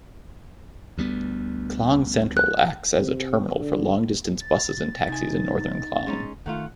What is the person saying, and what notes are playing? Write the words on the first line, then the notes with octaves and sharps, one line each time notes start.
Klang Sentral acts as a terminal for long-distance buses and taxis in northern Klang.
D2 G3 B3
F#6
C3
D3
A6
C3 D#4 G#5
G#3 C#4 D#4
D#3 A3 F4 F#5